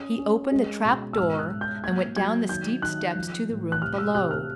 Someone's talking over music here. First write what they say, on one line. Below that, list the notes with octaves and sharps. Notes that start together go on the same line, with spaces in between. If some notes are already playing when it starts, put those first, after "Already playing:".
He opened the trap-door, and went down the steep steps to the room below.
Already playing: C#4 D#6
C#4
G#3
B2
E6
G#2 F6
F#6
G#2
G6
A#3 G#6
F#3 G#6
D#3 G6
D#3 F#6
F3
A2
F#6
C3 F6
E6
C3 F#6
F6